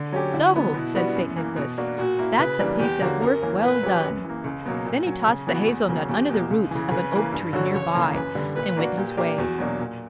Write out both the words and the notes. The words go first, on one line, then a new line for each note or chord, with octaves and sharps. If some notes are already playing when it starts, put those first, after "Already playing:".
"So!" says St. Nicholas, "that's a piece of work well done." Then he tossed the hazel-nut under the roots of an oak-tree near by, and went his way.
Already playing: D3
F#3 C#4 G4
D3 E4
F#3 B3
B2 E4
G3 B3 D4 F#4
F#2
E3 A#3
B2
A#3 D4 F#4
A#2 F#4
A#3 E4
C#3 B4
E3 G3 A#3 D4
E2 G4
D3 A#3 C#4 F#4
F#2 A#4
E3 A#3 C#4
A#2 B4
F#3 C#4 G4
F#2
E3 A#3
C#2
B2 F#3 A#3
A#2
F#3 C#4
C#3
E3 B3 F#4
E2
C#3 F#3 A#3
E2 G4
B2 A#3
C#2
C#3 E3
C#3 B4
E3 A#3
G2
D3 F#3 C#4 F#4
C#2 C#5
C#3 E3 A#3
F#2 B4
D3 G3
A#2 B4
A#3 D4 F#4
A#2 G4
A#3 D4 G4
E2 F#4
B2 F#3 A#3 D4
A#2